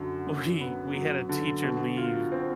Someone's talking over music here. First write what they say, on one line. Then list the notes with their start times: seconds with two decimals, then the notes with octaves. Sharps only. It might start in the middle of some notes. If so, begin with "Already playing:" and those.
We we had a teacher leave,
Already playing: F#2 D3 F#3
0.27 F#2
0.61 B3
0.95 F#3
1.29 D3
1.63 B2
1.97 F4
2.32 C4